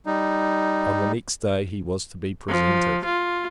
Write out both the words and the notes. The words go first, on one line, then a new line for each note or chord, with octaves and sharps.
On the next day, he was to be presented.
G3 D#4
F3
F4